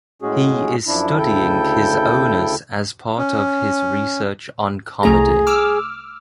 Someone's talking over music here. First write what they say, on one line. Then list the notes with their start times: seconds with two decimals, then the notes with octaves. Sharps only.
He is studying his owners as part of his research on comedy.
0.22 A2 G#3 C#4 F#4 G#4
0.87 F#2 F3 D4 E4
1.18 D2 C#3 E4 A4 G5 G6
3.18 C#4
5.03 C2 A3 G#4 A#5
5.47 D6 E6 F6